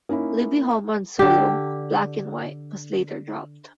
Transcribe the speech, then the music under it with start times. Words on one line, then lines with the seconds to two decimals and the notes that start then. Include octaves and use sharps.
Libby Holman's solo, "Black and White" was later dropped.
0.09 A#3 C#4 D#4 E4
1.19 D3 G4